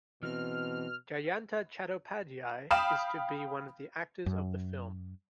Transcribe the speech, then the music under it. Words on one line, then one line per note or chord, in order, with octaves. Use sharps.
Jayanta Chattopadhyay is to be one of the actors of the film.
B2 E3 C4 F6
F5 G5 B5 D#6 F6 E7
F#2